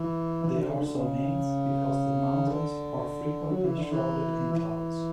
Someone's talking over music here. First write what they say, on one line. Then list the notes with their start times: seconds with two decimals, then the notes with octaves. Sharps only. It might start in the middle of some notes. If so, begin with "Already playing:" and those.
They are so named because the mountains are frequently shrouded in clouds.
Already playing: E3
0.44 E3
0.56 D3
0.69 D3
0.81 D3
0.95 C#3
2.48 D3
3.51 F#3
3.64 E3
3.78 D3
3.91 E3
4.53 E3